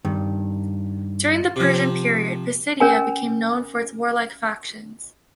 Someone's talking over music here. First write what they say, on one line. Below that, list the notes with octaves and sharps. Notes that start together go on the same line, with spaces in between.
During the Persian period, Pisidia became known for its warlike factions.
G2 D#3
C3 F3
C#4 A#4 G#5